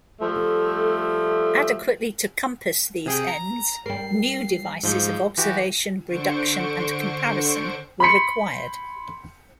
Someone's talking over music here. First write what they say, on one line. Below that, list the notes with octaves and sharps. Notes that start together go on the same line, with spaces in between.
Adequately to compass these ends, new devices of observation, reduction, and comparison were required.
F3 G3 A3
C3 G#4 G5
A#5
G3 A#4 C7
G#2 F3 G6
E3 F#4 G4
D3 C5 C#6 D7
B5 C6 B6 C#7